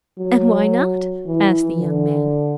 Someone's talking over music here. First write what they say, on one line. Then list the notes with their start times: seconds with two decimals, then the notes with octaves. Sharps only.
"And why not?" asked the young man.
0.18 F#3
1.26 E3
1.79 D3